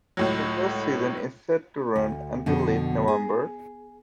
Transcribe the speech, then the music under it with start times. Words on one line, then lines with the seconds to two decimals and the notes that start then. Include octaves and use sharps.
The first season is set to run until late November.
0.17 C#2 A2 F#3
1.96 D2
2.46 F2 B2 D3
3.08 G#4